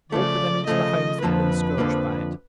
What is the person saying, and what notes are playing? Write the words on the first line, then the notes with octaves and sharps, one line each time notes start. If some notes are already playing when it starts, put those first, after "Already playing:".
Walk with them into the homes that have been scourged by it.
C#3 F3 A3 D5
C#3 F3 A3 D#5
F2 D3 F3 A#3 B4
F2 D3 F3 A#3